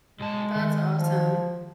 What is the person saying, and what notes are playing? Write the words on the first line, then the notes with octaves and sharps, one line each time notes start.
That's awesome.
B1 G#3 A5
D#3
F3